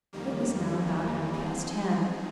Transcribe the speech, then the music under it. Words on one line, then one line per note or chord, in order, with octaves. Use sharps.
It was now about half-past ten.
F2 D#3 G3 A#3
F3 C4 D#4 G#4